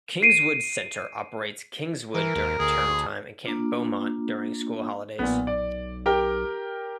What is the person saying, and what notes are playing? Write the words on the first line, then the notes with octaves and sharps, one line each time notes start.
Kingswood Centre operates Kingswood during term-time and Camp Beaumont during school holidays.
C7 D7 D#7
E3 A#4
D#2
D2 G#4
A#3 D4 F4
B1 A#2 B3
D5
G4 A#4 G5